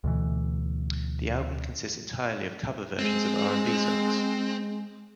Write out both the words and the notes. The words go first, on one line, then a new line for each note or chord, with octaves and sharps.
The album consists entirely of cover versions of R and B songs.
D2 B2 E3
G#3 C4